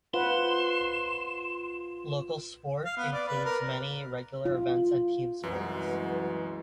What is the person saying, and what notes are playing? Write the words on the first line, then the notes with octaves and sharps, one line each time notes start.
Local sport includes many regular events and team sports.
F4 B4 C5 F#5 C6 E7
F5
B3
D5
B4
A#4
F4
C2 F#2 E3 F#3 G#3 F#4 B4